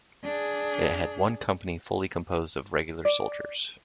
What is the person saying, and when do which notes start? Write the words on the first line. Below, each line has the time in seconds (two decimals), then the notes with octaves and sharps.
It had one company fully composed of regular soldiers.
0.24 D4 G#4
3.05 D5